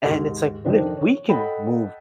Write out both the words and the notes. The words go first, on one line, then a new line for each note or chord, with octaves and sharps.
and it's like, "What if we can move"
D#2 G#2
F2 D#3 D4 C5
C#5
A4 D#5 F#5 G5 B5